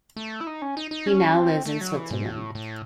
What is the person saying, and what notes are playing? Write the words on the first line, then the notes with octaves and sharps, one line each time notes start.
He now lives in Switzerland.
A3
E4
D#4
C#4
D#4
D#4
C#4
C4
A3
F#3
E3
G#2
A2
A2